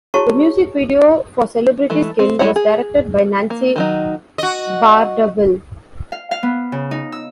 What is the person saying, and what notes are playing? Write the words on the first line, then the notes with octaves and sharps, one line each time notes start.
The music video for "Celebrity Skin" was directed by Nancy Bardawil.
E4 F#4 G#4 C#5 A5 C#6
E3 G#3 A3
C4
G3 G#3 E4 C#5 F#5
G#4
A#3
D#3 F#3 D#4
F#4 D#5
F5
F5
B3
C#3
D#4
E6